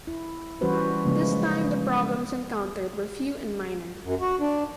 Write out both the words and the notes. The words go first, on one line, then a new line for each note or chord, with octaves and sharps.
This time the problems encountered were few and minor.
E4
E3 G3 C#4 F#4 B4 C5
C#3 F3 G#3 A#3
F#2
F#4
D4